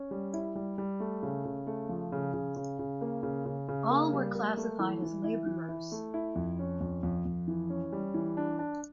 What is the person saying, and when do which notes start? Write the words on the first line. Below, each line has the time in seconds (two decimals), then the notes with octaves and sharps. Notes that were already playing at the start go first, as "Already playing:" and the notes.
All were classified as labourers.
Already playing: C#4
0.11 G3
0.34 E4
0.55 G3
0.78 G3
1.00 A3
1.23 C#3
1.45 C#3
1.67 A3
1.89 F3
2.12 C#3
2.34 C#3
2.56 C#3
2.79 C#3
3.01 A#3
3.23 C#3
3.45 C#3
3.68 C#3
3.90 A#3
4.13 G3
4.35 A#3
4.57 A3
4.79 E3
5.02 E3
5.24 E4
5.46 E3
5.69 E4
5.92 A3
6.14 E4
6.36 F2
6.59 C#4
6.81 F2
7.03 F2
7.25 F2
7.48 E3
7.70 C#4
7.92 G3
8.14 E3
8.37 D4
8.59 D4